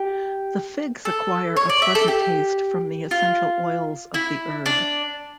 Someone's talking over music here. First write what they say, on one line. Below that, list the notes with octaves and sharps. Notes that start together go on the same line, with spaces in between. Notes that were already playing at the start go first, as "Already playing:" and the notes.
The figs acquire a pleasant taste from the essential oils of the herb.
Already playing: G4
A4
C#5
D5
E5
A4
G4
F4
E4
D4